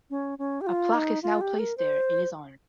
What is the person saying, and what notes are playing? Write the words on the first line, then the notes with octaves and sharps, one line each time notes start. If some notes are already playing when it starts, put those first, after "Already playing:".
A plaque is now placed there in his honor.
C#4
C#4
G4
F4
D#4
F4
G4
A#4
C5